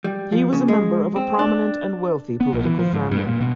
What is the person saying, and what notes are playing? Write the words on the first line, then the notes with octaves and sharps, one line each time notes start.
He was a member of a prominent and wealthy political family.
G3
F3
C#3
G#3
C4
D4
B3
A#1
E3
F3
G#2
G2
A#2
B2